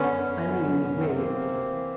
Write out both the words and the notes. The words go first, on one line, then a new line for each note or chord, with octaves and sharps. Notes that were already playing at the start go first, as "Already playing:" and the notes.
I mean Wiggs.
Already playing: D3 B3 C#4
F#2
F#2
D3
D3
F#2
C3 C4
B3
D2 A#3 C4
C3
D2
E3